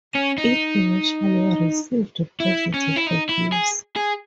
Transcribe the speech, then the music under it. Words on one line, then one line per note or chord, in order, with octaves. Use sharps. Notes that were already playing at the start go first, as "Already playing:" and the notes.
It initially received positive reviews.
C#4
D#4
E4
C#4
E4
D#4
E4
G#4
G#4